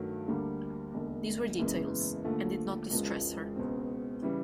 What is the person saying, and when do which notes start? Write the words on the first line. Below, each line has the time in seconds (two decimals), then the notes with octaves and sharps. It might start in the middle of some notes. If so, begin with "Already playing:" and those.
These were details, and did not distress her.
Already playing: G2 D#3 F#3 A3
0.28 D2 D3 G3 A#3
0.93 E1 D#2 D3
1.59 F#1 E2 C#3 E3 G#3
2.24 D#2 D3 F3 A3
2.89 E1 E2 C#3 F3 G#3
3.56 C#2 B2 G#3 C4
4.22 C#3 E3 G3